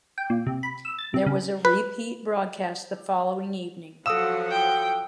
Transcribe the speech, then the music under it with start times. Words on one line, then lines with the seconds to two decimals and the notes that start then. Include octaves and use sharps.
There was a repeat broadcast the following evening.
0.18 G5
0.30 A#2
0.46 C3
0.63 B5
0.85 E6
0.99 A6
1.14 C3
1.26 C#3
1.65 B4
4.06 F3 F#3 A4 F5 F#5 D#6 E6 E7
4.51 G5